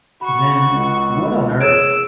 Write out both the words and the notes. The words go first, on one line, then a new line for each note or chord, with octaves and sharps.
Then - what on earth?
F#4 B5 C#6
C#2
G#4 C#5 E6 G#6 D7